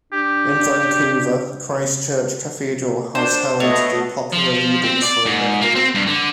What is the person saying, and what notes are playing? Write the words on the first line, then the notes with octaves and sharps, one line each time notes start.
In Vancouver, Christ Church Cathedral has held the popular readings for a decade.
D4 G4
D4 C5
A3 B3 D4 A4 C#5 D#5
F3
C4
D5
G#2
A#3
C4
G2
D3